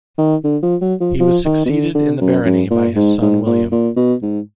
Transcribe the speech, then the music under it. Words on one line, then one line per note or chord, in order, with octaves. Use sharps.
He was succeeded in the barony by his son William.
D#3
D3
F3
F#3
F3
F3
D#3
B2
D3
D3
F#2
F#2
A#2
G#2
G#2
A#2
A#2
B2
G#2